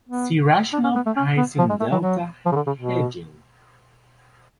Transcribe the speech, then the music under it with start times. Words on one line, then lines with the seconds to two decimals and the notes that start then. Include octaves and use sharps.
See Rational pricing delta hedging.
0.09 B3
0.73 D4
0.83 C#4
0.95 B3
1.06 A3
1.16 C#4
1.37 B3
1.59 F3
1.69 G#3
1.80 A3
1.92 F#3
2.02 F#3
2.46 F3
2.52 C#3
2.56 D3
2.66 C#3
2.78 B2